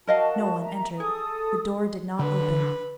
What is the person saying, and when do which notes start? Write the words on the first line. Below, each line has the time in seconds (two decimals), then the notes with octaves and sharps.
No one entered; the door did not open.
0.07 F#4 A#4 D#5 F5 A5
0.60 E5 A#5
1.00 G#4 A4 D#6
2.19 D3 B4